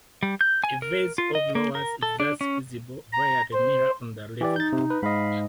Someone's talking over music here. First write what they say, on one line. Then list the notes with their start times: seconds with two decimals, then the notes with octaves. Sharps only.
A vase of lowers is thus visible via the mirror on the left.
0.23 G3
0.41 G6
0.64 G#5
0.82 A#4
1.18 F4
1.35 D#5
1.55 A#3
1.75 A#4
2.03 A4
2.20 D4
2.41 C#4
3.13 A#5
3.53 C5
4.41 E3 G4 D5
4.56 D#4 G6 A6
4.73 C3
4.90 B4
5.03 G#2 D#5 F5 B5